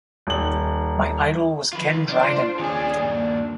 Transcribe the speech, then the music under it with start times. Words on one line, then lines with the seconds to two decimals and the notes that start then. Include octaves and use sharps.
My idol was Ken Dryden.
0.27 D#1 F#7
1.73 D#3 F3 F4 B4
2.09 D4 F4 C5
2.59 D#2 C#4 D4 G#4
3.01 G2 A#2